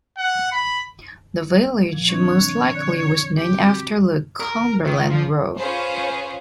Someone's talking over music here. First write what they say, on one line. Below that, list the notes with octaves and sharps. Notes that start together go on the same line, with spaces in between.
The village most likely was named after the Cumberland Road.
F#5
B5
A#2 F3
D#3 C4 D4 C#5
F#6
D3 D5 F#6
G4
C4 F#4
A#4
D#3
F3
C#4 F4 G#4 B4 C5